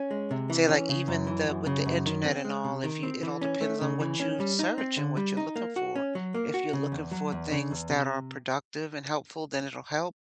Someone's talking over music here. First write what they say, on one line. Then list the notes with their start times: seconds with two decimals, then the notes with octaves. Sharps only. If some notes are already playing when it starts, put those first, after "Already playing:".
say like even the with the internet and all, if you it all depends on what you search and what you're looking for- if you're looking for things that are productive and helpful, then it'll help;
Already playing: C#4
0.11 G#3
0.31 C3
0.50 E3
0.68 C#4
0.89 C#3
1.08 F#2
1.27 E3
1.48 F#2
1.66 C#3
1.86 F#2
2.06 D#3
2.24 C4
2.45 G#3
2.64 C3
2.84 D#3
3.03 C4
3.23 E3
3.42 C#4
3.61 A3
3.81 C#3
4.00 E3
4.20 C#4
4.40 G3
4.59 D#4
4.78 C4
4.97 D3
5.17 G3
5.37 D#4
5.56 A#3
5.76 F#4
5.96 C#4
6.15 F#3
6.34 A#3
6.54 F#4
6.73 C#3
6.92 E2
7.11 F#3
7.32 E2
7.51 C#3
7.71 E2
7.89 C3